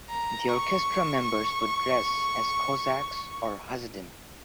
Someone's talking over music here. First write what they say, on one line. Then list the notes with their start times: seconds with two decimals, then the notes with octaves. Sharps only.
The orchestra members would dress as Cossacks or Hasidim.
0.10 A#5
0.48 C#6
1.22 C#6